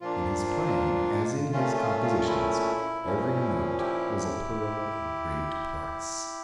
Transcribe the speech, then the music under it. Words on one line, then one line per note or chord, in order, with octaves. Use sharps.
In his playing, as in his compositions, every note was a pearl of great price.
A#2 F3 A#3 D4 F4
A#2 A3 C#4 F4
F4
F4
E4
A#2 F3 C#4
E4 G4